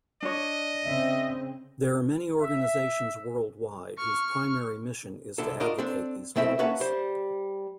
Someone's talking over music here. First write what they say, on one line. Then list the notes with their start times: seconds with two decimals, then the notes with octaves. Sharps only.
There are many organisations worldwide whose primary mission is to advocate these goals.
0.23 D4 C#5 D#5
0.85 C#3 C4 E5
2.41 E5
3.98 C#6 F6
5.38 C2 D3 A4
5.60 D4 F4 F#4 A#4 D#5
5.79 C4 D4 A4
6.36 B2 A3 C4 E4 E5 G5
6.59 A#3 C#4 B4 E5 F#5 A5
6.80 G3 C5